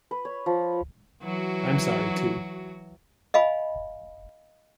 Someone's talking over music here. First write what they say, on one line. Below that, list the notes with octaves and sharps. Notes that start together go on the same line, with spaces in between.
I’m sorry, too.
B4
C#5
F3
E3 F#3 F#4
D#5 F5 G#5 B5